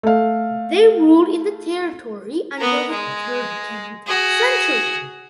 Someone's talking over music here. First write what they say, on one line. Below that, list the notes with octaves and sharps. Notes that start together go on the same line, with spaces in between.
They ruled in the territory until the thirteenth century.
A3 F5
B3 A#4
G#3
F#4 G#4